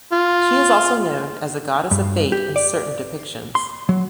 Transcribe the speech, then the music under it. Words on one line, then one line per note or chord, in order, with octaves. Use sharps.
She is also known as the goddess of fate in certain depictions.
F4
G2
G4
D5
C6
F#3